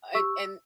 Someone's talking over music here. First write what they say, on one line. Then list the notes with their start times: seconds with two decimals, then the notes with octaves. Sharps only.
and and
0.14 G4 C#6 E6